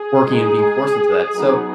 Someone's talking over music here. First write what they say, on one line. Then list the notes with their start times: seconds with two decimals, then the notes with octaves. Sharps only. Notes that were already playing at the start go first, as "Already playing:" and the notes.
working and being forced into that, so
Already playing: G#4
0.25 G#3 D#4
1.34 F#3 B3 D#4